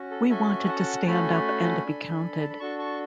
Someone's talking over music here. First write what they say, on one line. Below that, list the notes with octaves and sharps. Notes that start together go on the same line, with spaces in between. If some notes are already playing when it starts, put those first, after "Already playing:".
We wanted to stand up and be counted.
Already playing: C#4 F#4
A4
C#4 F#4 A4 E5 G#5
F#5 A5
A3 C#4 F#4 A4 G#5 B5
D4 A4
G#5
A5
B5
D4 F#4 A4 A5 C#6
A5 C#6